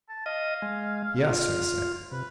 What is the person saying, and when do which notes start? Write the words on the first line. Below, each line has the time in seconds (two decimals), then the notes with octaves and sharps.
"Yes," I said.
0.09 A5
0.26 D#5 F5
0.62 G#3
1.26 F4
2.12 C3 B4